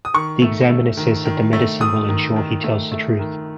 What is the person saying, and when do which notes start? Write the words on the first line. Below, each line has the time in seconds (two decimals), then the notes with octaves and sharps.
The examiner says that the medicine will ensure he tells the truth.
0.05 D#6
0.14 D#3 C#6
0.42 A3
0.70 A3
0.97 D#3
1.25 D#3
1.53 A3
1.81 A3 D#6
2.09 D#3
2.36 D#3
2.64 A3
2.92 A3
3.19 D#3